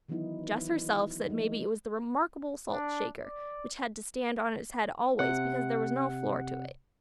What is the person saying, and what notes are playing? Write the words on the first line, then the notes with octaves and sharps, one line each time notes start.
Jess herself said maybe it was the remarkable salt shaker which had to stand on its head always, because there was no floor to it.
D#3 E3 F#3 B3 D#4 E4
E4
F3 G#3 A#3 D#4
D4
D5
C3 F#5